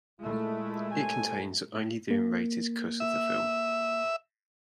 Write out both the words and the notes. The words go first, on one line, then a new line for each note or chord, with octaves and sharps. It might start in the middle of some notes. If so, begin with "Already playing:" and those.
It contains only the unrated cut of the film.
A#2 G#3 A3 E4
C2 A4 G#5
A#3
E5